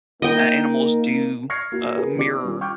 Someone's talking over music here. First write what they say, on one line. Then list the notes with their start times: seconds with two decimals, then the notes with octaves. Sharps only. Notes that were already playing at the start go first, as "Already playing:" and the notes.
a animals do, uh, mirror,
0.22 A#3 D#4 A#4 D#5 G5
1.50 C#6 F6 G#6 A#6 C7 C#7
1.72 A#3 E4 F#4
1.94 G#4 A#4 B4
2.15 D#3 B3 E4 G4 D5 D6
2.43 G3 C#4 F4
2.61 G5 C#6 D6 F6 G6